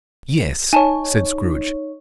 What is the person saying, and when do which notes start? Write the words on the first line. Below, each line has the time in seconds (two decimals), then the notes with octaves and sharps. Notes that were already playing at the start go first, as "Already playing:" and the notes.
"Yes," said Scrooge.
0.73 D#4 C#5 G#5 A5